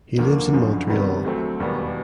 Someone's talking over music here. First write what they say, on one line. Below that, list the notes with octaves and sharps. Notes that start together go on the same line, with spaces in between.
He lives in Montreal.
D#2 D3 F3 A#3
F#1 F#2 D3 F3
C2 C3 D#3 G3 B3
D2 D3 F#3 A3 C4
E1 D#2 D#3 G3 B3